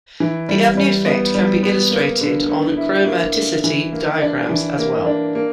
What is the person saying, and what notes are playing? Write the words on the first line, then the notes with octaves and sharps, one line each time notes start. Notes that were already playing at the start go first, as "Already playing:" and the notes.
The Abney effect can be illustrated on chromaticity diagrams as well.
E3
G3
G3
B3
G3
B3
A#3
D3
D3
E4
A#3
D3
E3
A#3
D4
E3
A#3
D4
A#3